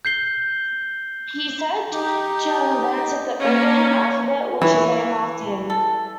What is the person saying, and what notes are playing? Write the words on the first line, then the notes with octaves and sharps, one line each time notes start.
He is said to have invented the Ogham alphabet, which is named after him.
G6 C7 G7
D#4 G4
A#3 C#4 C#5
E3 E4 C#5
A4